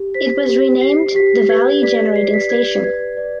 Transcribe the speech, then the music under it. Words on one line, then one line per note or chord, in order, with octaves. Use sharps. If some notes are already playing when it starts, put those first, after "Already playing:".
It was renamed the Valley Generating Station.
Already playing: G4
C5 B6
G4
G4 C7
G4 B6
B4 G#6
D5 B6
D5 C7
B6
B4 G#6
G#6
B4 G#6
D5